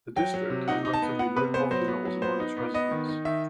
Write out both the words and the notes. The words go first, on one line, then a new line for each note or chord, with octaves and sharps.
The district has relatively low poverty levels among its residents.
F#3 G5
F#3
C3
D#4 F#5
D#4
A5
B3
B3 F#5
C3 B4
B3 C5
F#3 C5
B3
F#3
B3 C5
D#4
B3
B3 D#5
D#3
D#4
D#3 E5